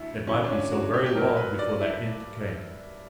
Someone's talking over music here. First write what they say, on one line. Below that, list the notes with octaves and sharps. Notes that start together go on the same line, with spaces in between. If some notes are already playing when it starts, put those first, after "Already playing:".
It might be so very long before that end came.
Already playing: D2 D3 E4
D2 C#3 E3 C#4
D4
C#4
F#4
G4
G4
G2 F#3 A#3 A#4
B4
D5
E4